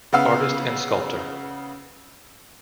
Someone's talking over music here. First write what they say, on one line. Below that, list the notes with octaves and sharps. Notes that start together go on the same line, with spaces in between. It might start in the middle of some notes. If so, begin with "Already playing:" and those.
Artist and sculptor.
C#3 B3 F5 E6